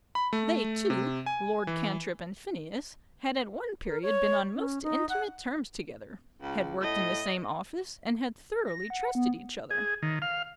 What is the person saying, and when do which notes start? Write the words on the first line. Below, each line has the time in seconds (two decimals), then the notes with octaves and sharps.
They two, Lord Cantrip and Phineas, had at one period been on most intimate terms together;--had worked in the same office, and had thoroughly trusted each other.
0.15 B5
0.33 A3
0.90 C3
1.26 G#5
1.67 E3
3.88 A#4
4.02 C#5
4.55 C#4
4.83 D#4
5.09 F#5
6.42 C#2
6.82 A2 D#5
8.65 A#6
8.90 F#5
9.15 B3
9.71 G#4
10.02 D#3
10.22 F5